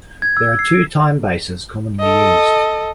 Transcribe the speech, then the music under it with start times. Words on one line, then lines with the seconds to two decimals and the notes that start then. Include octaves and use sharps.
There are two time bases commonly used.
0.22 G#6
0.37 E6
0.59 C7
2.00 A4 D#5